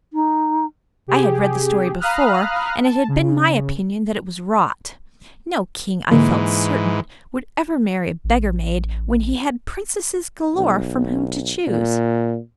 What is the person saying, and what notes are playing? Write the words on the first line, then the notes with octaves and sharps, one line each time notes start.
I had read the story before, and it had been my opinion that it was "rot." No king, I felt certain, would ever marry a beggar maid when he had princesses galore from whom to choose.
D#4
C3 G4 G#4
F5 A#5 B5 D#6 F6 F#6
A5
C#3
G#2 D3 E3 A#3
A1
B1
A#2